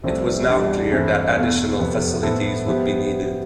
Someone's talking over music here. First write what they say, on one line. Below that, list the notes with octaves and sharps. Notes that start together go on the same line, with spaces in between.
It was now clear that additional facilities would be needed.
C2 C3 F3 A3 C4
E2 B2 G3 D4
G2 E3 A3 C4
E2 B2 A3
F2 C3 F3 B3
A2 F3 B3 E4 A4
F3 B3 E4 G4